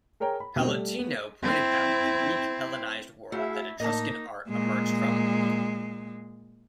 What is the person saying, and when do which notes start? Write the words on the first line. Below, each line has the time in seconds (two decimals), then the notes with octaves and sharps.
Pallottino pointed out the Greek Hellenized world that Etruscan art emerged from.
0.20 G#4 A#4 C#5 G5 A#5
0.40 B5
0.56 B2 G3 C4
0.67 G3 A3
0.99 B3
1.43 C4 E4
3.32 A3 E4 F#4 G#4 E5 F5
3.80 A2 A#3 D#4 D#5 A5
4.49 A#2 G#3